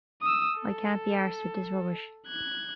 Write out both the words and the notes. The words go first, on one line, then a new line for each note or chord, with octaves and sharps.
I can't be arsed with this rubbish.
D#6 E6
A4
F#6 G#6